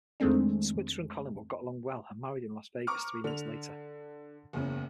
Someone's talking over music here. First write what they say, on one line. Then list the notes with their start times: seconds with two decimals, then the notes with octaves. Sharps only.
Switzer and Collingwood got along well and married in Las Vegas three months later.
0.20 F2 D#3 G#3 A3 C4 D4
2.87 A#5 C#6 D6 F6
3.24 D3 F7
4.53 F#1 E2 C#3